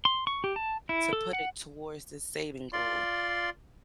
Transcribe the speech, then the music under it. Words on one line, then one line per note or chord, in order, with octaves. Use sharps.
To put it towards the saving goal.
C6
C#6
G4
A5
E4
A4
F#5
F4 D5 C6